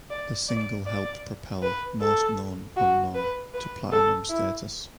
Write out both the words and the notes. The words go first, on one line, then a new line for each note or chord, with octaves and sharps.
The single helped propel "Most Known Unknown" to platinum status.
D5
D5
D5
B4
A4
F#4
B4
B4
A4
E4